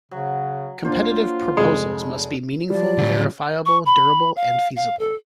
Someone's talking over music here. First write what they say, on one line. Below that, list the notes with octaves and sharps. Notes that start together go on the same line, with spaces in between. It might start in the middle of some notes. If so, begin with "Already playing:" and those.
Competitive proposals must be meaningful, verifiable, durable and feasible.
C#3 F#3
A#3 D4 F4 C5
F1 G#3
F3 G3 D5
A2 D3
C#6
B5
F5
F5
A4